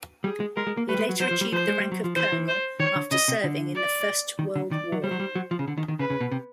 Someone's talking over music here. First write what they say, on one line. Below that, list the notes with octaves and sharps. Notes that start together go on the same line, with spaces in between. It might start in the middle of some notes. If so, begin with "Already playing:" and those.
He later achieved the rank of colonel after serving in the First World War.
G3 G#4
G#3
G#3 A#4
G#3
A#3
A3 B4
G3
G#3
F#3
F#3 C5
F3
G3
F3 C5
G#3
G3
F#3
F3
E3 C5
E3
C5
D#3 C#5
D3
C#3 D#5
C3
D3
D5
D#3
D3
D#3 D5
F#3
G3 C5
F#3
G3
F#3
F3
C#3
D3
D#3
D#3
C#3 B4
C#3
B2
C3